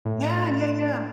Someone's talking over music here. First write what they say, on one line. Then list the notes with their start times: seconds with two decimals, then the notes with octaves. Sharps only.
yeah, yeah, yeah,
0.05 A2